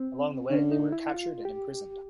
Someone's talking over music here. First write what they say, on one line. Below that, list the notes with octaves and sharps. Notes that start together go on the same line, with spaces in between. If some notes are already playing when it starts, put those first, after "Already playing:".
Along the way, they were captured and imprisoned.
Already playing: C4
D3 C#4
D#4
E4
F4
G4